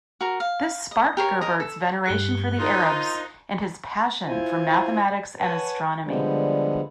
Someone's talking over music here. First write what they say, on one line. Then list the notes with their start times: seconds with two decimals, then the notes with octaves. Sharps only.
This sparked Gerbert's veneration for the Arabs and his passion for mathematics and astronomy.
0.21 F#4 A#4
0.40 F5
0.91 D#5
1.17 G4 A#4 C#5
1.41 A#4 D#5
1.60 A4
2.06 G2 G4 F#6 C#7 G7
2.59 D#4 F4 A#4 C5
4.27 E4 F4 C5 G#5
5.39 B4 C#5 F#5 G#5 A5
6.05 D3 F3 G3 G#3 B3